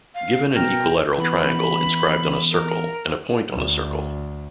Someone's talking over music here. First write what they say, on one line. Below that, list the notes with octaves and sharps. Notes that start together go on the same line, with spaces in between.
Given An equilateral triangle inscribed on a circle and a point on the circle.
F5
B2 A#4 G5
E3 B3 B5
A#4
D2